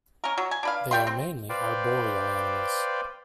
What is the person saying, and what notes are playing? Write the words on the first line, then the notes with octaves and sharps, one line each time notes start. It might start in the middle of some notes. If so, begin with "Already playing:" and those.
They are mainly arboreal animals.
C#4 A#4
F#3
G#5
D4 B4 F5
G3 G5 C6
C4
B4 C5 D5 F5 G5